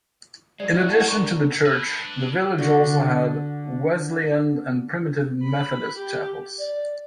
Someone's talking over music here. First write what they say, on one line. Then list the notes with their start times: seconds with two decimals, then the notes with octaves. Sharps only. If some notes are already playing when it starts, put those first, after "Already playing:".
In addition to the church the village also had Wesleyan and Primitive Methodist chapels.
0.60 F#3 G#3 D5
0.74 E4 F#4
0.90 F#5 A5
1.08 D4 A#4 C#6
1.66 D4 B4
2.58 D3 F#4
5.44 B5
5.96 G4
6.59 D5